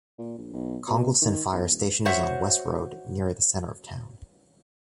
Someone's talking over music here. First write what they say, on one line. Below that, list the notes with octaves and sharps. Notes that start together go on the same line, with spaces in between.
Congleton Fire Station is on West Road, near the centre of town.
A#2
A#1
B1
B2
D#3
E2
D#1
F#4 C5 C#5 E5 F#5